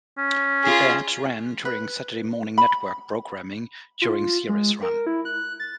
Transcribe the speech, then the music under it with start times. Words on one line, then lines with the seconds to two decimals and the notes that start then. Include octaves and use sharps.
The ad ran during Saturday morning network programming during the series' run.
0.18 C#4
0.64 F4 G#4
1.65 B4
2.58 B5
4.02 F4
4.49 G#3
4.82 A#4
5.07 E4
5.25 F#6
5.60 A6